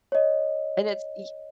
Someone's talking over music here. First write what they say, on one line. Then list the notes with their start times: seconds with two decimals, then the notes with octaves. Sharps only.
And it's e
0.12 C#5 D#5